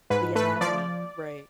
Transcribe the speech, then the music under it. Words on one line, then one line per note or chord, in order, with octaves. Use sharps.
The anatomy. Right.
G#2 B4
A3 B4
F3 D5